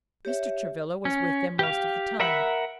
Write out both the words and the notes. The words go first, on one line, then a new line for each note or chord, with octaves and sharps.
Mr. Travilla was with them most of the time.
G4 C#5 E5
C#4
G4 F5
A#4 E5 F#5 B5